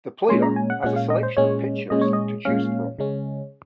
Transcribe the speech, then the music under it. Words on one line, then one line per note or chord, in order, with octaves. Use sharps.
The player has a selection of pitchers to choose from.
A#2 G#3 C#4 C6
A#5
G#5
F#5
A#2 G#3 C#4 F#5
F5
D#5
C5
A#2 G#3 C#4 C#5
A#2 G#3 C#4 D#5
C#5
D#5
A#2 G#3 C#4 F5
C#3 G#3 C#4